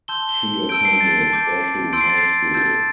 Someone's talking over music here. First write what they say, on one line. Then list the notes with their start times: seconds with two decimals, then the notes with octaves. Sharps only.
She attended Bashu High School.
0.08 A5 C6 E6 G6 G7
0.29 G7
0.69 A5 E6 G6 D7
0.81 D7
0.85 C7
0.95 C7
1.00 A6
1.31 A5 D6 G6
1.93 C6 E6 G6 D7
2.01 C7
2.10 A6
2.18 C7
2.54 A5 E6 G6 A6